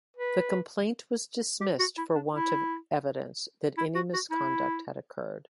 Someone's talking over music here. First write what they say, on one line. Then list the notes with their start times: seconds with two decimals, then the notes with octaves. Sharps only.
The complaint was dismissed for want of evidence that any misconduct had occurred.
0.17 B4
1.61 G4
1.79 F#4
1.97 E4
2.15 D4
2.33 E4
3.78 E4
3.95 F#4
4.13 F#4
4.31 E4